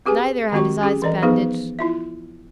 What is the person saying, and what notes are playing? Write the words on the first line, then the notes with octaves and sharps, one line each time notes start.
Neither had his eyes bandaged.
C4 G4 G#4 B4 G#5
D#3 G#3 C4 F#4 G4 C#6
C#4 G4 G#4
E3 A4 D5 D#5 A#5
F3 B3 D#4 G#4 B4
E4 F4 E5